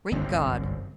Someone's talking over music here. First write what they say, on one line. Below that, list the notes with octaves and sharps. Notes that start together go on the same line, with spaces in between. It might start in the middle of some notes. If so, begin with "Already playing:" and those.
Great God!
G1 C2 F#2 C4